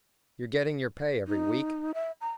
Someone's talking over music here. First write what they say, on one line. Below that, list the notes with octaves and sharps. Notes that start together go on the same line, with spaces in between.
You're getting your pay every week.
D#4
E5
A#5